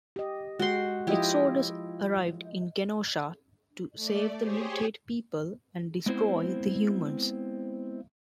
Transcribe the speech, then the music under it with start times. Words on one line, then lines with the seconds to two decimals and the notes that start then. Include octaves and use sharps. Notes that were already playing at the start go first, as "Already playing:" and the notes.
Exodus arrived in Genosha to save the mutate people and destroy the humans.
0.16 G4 D#5
0.59 G#3 F#4 G5 C6
1.07 F3 E4 F4 G4 D#5
3.95 A3 D5
4.37 G4 G#4 C5 C#5
6.06 G#3 B3 C4 E4 C5